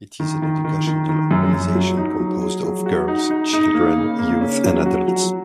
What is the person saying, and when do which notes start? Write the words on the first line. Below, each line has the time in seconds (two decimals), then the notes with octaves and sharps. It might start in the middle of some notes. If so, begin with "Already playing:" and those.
It is an educational organization composed of girls, children, youth and adults.
0.20 D#3
0.42 D#3
0.65 D#3
0.87 D#3
1.09 D#3
1.31 F#2
1.53 F#2
1.75 F#3
1.97 D#4
2.20 F#3
2.41 G#4
2.64 F#3
2.86 F#4
3.08 D#4
3.30 D#4
3.53 D#4
3.74 A#3
3.98 C#3
4.19 A#3
4.41 C#4
4.64 F#3
4.86 F#4
5.08 F#3